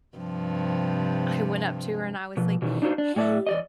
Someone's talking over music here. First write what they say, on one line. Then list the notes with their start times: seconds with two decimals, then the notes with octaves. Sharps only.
I went up to her, and I was like, "Hey,
0.18 G2 C3 F3
2.37 B2 F3
2.62 B2 D#3 E3
2.82 D4 D#4 F4 F#4 A4 C5
2.98 D4
3.16 A2 D5 E5
3.47 E2 D5 D#5